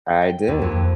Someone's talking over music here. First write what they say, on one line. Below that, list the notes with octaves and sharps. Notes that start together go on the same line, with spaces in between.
I did.
G5
D#2
F2